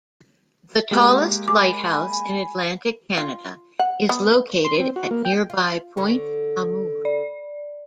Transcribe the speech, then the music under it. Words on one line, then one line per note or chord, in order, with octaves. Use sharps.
The tallest lighthouse in Atlantic Canada is located at nearby Point Amour.
G#3 A#3 G4
G#5 B5 D6
F4
F#5
B3
C6
C4
F#4
A#3
G5
F4
D3 G#4 C#5
D5